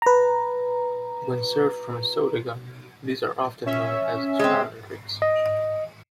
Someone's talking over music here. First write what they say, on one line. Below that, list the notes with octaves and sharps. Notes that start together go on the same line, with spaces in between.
When served from a soda gun, these are often known as fountain drinks.
B4 A#5
C#4 E5
G#3 C4
D#5